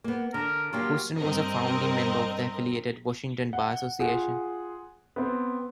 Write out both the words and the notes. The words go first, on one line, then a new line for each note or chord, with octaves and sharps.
Houston was a founding member of the affiliated Washington Bar Association.
A#3 B3
D3 A#4
F#3 A#3 F4 G4
G2 C4 A#4 D#5
F#5
F4 G#4 F#5
B3 C4